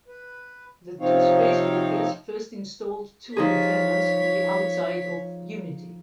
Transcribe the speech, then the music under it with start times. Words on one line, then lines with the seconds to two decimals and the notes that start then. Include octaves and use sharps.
The two spacewalkers first installed two antennas on the outside of "Unity".
0.08 B4
1.00 C3 F3 C4 D#4 C#5 F5
3.37 F3 D#4 G#4 C#5 B6